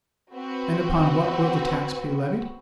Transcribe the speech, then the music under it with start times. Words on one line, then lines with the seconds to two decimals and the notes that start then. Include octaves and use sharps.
And upon what will the tax be levied?
0.33 C4 F#4 B4